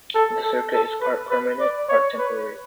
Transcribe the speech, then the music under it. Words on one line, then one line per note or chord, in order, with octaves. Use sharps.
The circuit is part permanent, part temporary.
A4
A4
A4
B4
B4
D5
C#5
B4